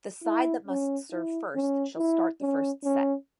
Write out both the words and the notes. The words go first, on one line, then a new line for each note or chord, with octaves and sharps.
The side that must serve first shall start the first set.
E4
C#4
E4
C#4
E4
C#4
C#4